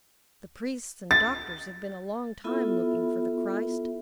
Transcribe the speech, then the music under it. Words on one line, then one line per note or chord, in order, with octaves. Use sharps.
The priests and doctors have been a long time looking for the Christ.
A6
B3 E4 F4 A4 E5 B5